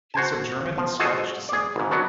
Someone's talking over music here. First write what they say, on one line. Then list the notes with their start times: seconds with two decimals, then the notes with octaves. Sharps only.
He is of German and Scottish descent.
0.14 F#4 C5 G#5 A5
0.78 F3
0.99 F4 F#4 G#4 A4 C5 D#5
1.49 G#4 D5
1.76 G#1 G#2
1.91 F#3 B3 D4 F#4